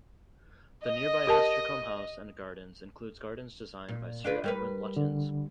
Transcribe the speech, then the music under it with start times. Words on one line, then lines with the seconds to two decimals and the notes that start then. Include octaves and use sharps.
The nearby Hestercombe House and Gardens includes gardens designed by Sir Edwin Lutyens.
0.84 D#5
1.27 G4 A#4 A5
3.89 A#2
4.24 D4 F4 B4
4.44 G3 A#4 B4
4.97 D3